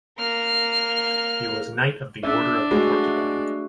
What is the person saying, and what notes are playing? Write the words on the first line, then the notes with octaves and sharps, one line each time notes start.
He was Knight of the Order of the Porcupine.
A#3 F6
D4 E5
G#3 A3 F#4 G#4